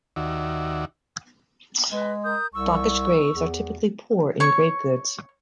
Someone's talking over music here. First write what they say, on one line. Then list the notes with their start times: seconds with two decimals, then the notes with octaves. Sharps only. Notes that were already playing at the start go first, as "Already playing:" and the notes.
Vakhsh graves are typically poor in grave goods.
0.16 D#2 D#3 F#4 D5 E5
1.93 G#3 B4 D#5
2.23 A#4 D#6 G6
2.54 C2 C#6 E6
3.34 E2
4.40 C#5 C#6